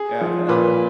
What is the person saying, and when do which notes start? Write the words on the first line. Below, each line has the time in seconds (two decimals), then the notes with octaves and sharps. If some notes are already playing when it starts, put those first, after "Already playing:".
Yeah, i
Already playing: G#4
0.21 F3
0.48 A#2 B4